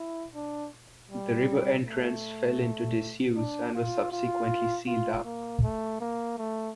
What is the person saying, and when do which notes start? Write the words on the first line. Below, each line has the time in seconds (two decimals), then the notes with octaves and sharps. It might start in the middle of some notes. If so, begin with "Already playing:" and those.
The river entrance fell into disuse and was subsequently sealed up.
Already playing: E4
0.35 D4
1.10 G3
1.86 A3
3.36 D4
3.74 F4
4.12 F4
4.87 F4
5.24 A#3
5.63 A3
6.00 A#3
6.38 A3